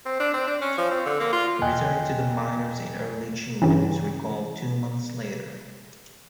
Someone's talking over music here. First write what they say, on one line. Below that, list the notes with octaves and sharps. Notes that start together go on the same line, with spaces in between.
He returned to the minors in early June and was recalled two months later.
C4
D4
C4
D4
C#4
F3
C4
D3
A#3
F4
E2 D#5 G5 G#5 F#6
G2 C#3 E3